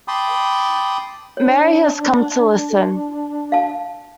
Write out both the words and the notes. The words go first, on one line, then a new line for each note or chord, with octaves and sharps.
Mary has come to listen.
G5 A5 B5 C6 D6 D#6
D4 C#5
F5 A5